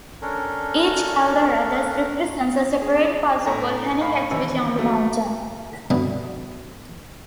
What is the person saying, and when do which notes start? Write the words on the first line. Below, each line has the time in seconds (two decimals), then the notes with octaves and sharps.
Each caldera thus represents a separate pulse of volcanic activity on the mountain.
0.22 C#4 D4 A4 A#4
2.82 G#4
3.46 A2 A4 A#5
4.01 A2 F5 B5
4.31 G#1 E3 E6
4.78 F#3 A3
5.90 G2 B2 D3 G3 A3